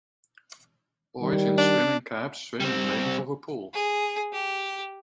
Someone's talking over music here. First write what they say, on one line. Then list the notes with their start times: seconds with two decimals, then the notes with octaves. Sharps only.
Boys in swimming caps swim in lanes of a pool.
1.21 D#3 G3
1.58 D4
2.60 G3 C4
3.74 G#4
4.32 G4